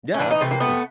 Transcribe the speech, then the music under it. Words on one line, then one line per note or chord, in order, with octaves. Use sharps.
Yeah, absolutely.
C#4
E3 D4
D#4
C3 A3
A#3
A3 B3